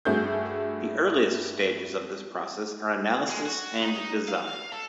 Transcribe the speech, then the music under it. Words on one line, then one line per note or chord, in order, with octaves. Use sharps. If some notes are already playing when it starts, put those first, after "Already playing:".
The earliest stages of this process are analysis and design.
G2 A3 F#4 G#4 G6
G#3
F#4
D#4
F5
A4